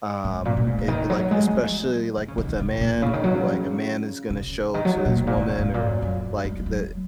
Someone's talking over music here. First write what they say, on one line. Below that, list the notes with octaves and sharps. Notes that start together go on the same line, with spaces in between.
um, it like, especially, like, with a man, like a man is gonna show to his woman or, like, the
G#2
A#2
A#2
G#2
A#2
D#3
F#3
G#3
D#3
F#3
D#3
C#3
D#3
D#3
C#3
G#2
A#2
C#3
D#3
F#3
C#3
C#3
D#3
F#3
F#3
A#2
G#2
A#2
D#3
C#3
G#2
A#2
F#2
F#2
G#3
G#3
F#3